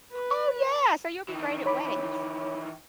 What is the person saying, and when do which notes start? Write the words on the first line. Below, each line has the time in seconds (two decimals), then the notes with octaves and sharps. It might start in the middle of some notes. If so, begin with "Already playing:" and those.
Oh yeah, so you'll be great at weddings.
0.13 B4
1.29 D#3 E3
1.66 C#5 B5 D6